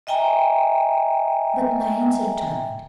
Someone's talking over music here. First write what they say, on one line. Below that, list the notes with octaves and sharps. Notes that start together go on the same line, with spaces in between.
But my hands are tied.
D#5 E5 G5 G#5 A#5